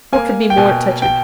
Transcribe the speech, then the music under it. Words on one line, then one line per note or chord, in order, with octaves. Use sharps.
What could be more touching?
A#3 G#5
G5
B2 G#5
G5